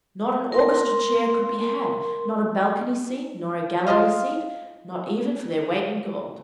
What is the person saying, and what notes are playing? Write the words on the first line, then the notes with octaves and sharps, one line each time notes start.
Not an orchestra chair could be had, not a balcony seat, nor a gallery seat; not even for their weight in gold.
A#4 C6
F4 C5 D#5 F5